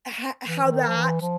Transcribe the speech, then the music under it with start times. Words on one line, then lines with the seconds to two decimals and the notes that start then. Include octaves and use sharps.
ho how that,
0.47 E3
0.64 E3
0.72 D#3
0.87 F3
0.96 E3
1.21 F3